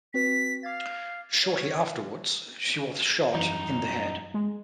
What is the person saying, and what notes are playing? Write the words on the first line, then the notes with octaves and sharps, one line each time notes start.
Shortly afterwards, she was shot in the head.
C4 F#4 B4 B6
F5 D6 G#6 A6
C#5
F#2 E3 G3 D#4
G#3